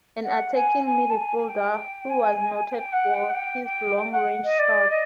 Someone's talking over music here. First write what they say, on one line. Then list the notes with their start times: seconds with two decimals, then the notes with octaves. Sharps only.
An attacking midfielder, he was noted for his long-range shots.
0.23 F#5
0.54 G#5
0.85 G#5
1.10 A5
1.16 G#5
1.38 G#5
1.48 G5
2.09 G#5
2.72 G5
2.92 F#5
3.13 G5
3.30 F#5
3.34 G5
3.65 G5
3.97 G5
4.12 F#5
4.43 D#5
4.59 D5
4.90 D#5